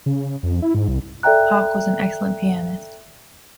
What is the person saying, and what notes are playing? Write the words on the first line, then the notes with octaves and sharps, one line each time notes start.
Hawke was an excellent pianist.
C#3
F2
E4
G#2
C2
A4 D5 E5 G5 A#5 F#6